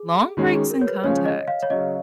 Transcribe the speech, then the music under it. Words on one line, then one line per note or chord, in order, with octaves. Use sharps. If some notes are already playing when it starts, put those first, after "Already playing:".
long breaks in contact?
Already playing: G#4
D#3 G#3 C#4 F#4
G#4
A#4
C#5
B4
C#3 F3 G#3 C#4 C#5
C#5
D#5
F5
C#5
C#3 F#3 C#4 D#5